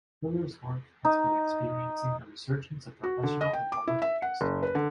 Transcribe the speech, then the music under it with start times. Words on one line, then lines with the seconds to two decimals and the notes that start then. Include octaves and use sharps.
Fuller's work has been experiencing a resurgence of professional and public interest.
1.05 D#4
3.04 F#4
3.23 D3
3.41 D#5
3.53 G5
3.72 D6
3.87 E4
4.02 E5
4.22 F#5
4.41 F#1
4.63 B4
4.75 D3